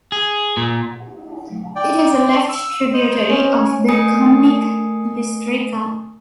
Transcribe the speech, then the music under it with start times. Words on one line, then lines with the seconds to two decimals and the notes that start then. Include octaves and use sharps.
It is a left tributary of the Kamnik Bistrica.
0.12 G#4
0.57 A#2
1.76 D5 G5
2.49 E6
2.93 C5 D#5
3.29 C#4
3.88 A3 A#4 G#5 D#6 C7 C#7